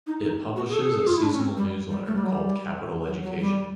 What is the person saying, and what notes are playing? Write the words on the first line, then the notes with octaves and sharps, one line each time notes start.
It publishes a seasonal newsletter called "Capital Education".
D#4
D#4
F#4
G#4
A4
G#4
A4
G#4
F4
E4
D4
C#4
C4
G3
G3
A3
G3
F#3
G3
F#3
F#3
G3